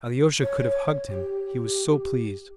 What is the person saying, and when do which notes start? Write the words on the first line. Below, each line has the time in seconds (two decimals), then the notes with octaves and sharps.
Alyosha could have hugged him, he was so pleased.
0.41 C#5
1.09 G4